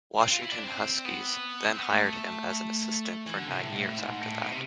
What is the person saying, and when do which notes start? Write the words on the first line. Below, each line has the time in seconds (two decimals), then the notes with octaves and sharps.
Washington Huskies then hired him as an assistant for nine years after that.
0.21 C4
0.31 F4
0.43 E4
0.52 D4
0.64 C4
1.05 B3
1.65 C4
1.78 B3
1.90 A3
3.26 E3
3.37 D3
3.47 C3
3.53 G#2
3.58 A2
3.72 B2
3.78 A2
3.99 G#2
4.21 A2
4.41 B2
4.51 C3